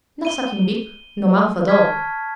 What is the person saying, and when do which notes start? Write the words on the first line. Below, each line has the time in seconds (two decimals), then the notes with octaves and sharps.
No sucking-beak, no mouth at all.
0.25 D#7 G7
1.68 A5 C#6 F6 G#6 B6